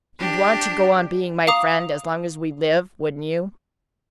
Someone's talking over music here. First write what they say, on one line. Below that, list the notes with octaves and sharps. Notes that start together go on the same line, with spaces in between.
"You'd want to go on being my friend as long as we live, wouldn't you?"
D4 G4
F5 A#5 D6 D#6 F7